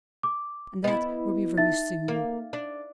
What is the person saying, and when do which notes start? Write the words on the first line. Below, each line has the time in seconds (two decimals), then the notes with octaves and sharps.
And that will be very soon.
0.23 D6
0.84 B3 E4 D#5
1.58 D#4 E5 A6
2.08 A#3
2.53 D4